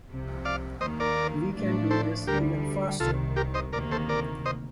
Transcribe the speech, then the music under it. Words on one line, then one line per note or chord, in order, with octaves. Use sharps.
We can do this even faster.
C2 C3 F3
D5 F5
D#2 D#3 A#3 C5 D#5
A#4 D5
A2 F3 A3 D4
A4 C5
D2 D3 G3 G4 A#4
C2 C3 D#3 F4 A4
G4 A#4
C5 D#5
D2 C3 D#3 A#3 A#4 D5
A4 C5
A#4 D5
C5 D#5